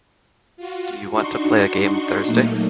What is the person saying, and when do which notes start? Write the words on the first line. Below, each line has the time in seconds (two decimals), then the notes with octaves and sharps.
Do you want to play a game Thursday?
0.57 F4 F#4
1.14 D4 D#4 F#4 C6 C#6
2.27 A#2 F#3 A3 A#3 D#4